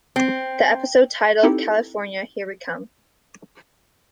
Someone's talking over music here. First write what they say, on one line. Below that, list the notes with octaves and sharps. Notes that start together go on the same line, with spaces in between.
The episode, titled California, Here We Come!
C4
C4 D#4 E4 G4 A4